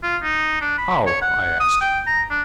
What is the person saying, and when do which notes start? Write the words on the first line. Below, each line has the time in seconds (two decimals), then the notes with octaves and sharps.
"How?" I asked.
0.03 F4
0.23 D#4
0.61 D4
0.78 B5
1.07 C#5
1.22 F#5
1.60 D#6
1.81 G5
2.07 A#5
2.30 D4